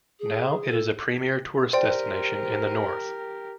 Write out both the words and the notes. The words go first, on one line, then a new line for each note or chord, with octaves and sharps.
Now, it is a premiere tourist destination in the north.
G#4
A4
G4 A#4 C5 D5 G5